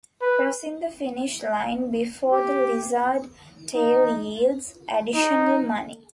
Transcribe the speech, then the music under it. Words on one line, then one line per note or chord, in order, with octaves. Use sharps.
Crossing the finish line before the Lizard Tail yields additional money.
B4
G4
D#4
D#4